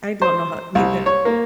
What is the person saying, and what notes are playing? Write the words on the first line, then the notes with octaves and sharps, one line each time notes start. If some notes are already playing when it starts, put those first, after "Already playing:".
I don't know how either.
C5
C2
C#5
A#3